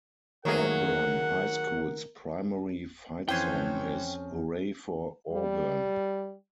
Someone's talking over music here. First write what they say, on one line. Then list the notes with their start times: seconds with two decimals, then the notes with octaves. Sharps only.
Auburn High School's primary fight song is "Hooray for Auburn!".
0.45 D#3 F#3 A3 A#3 G#4 A#4 F#5
3.29 F2 E3 C#4 C5 C#5 G5 G#5 C6
5.32 G3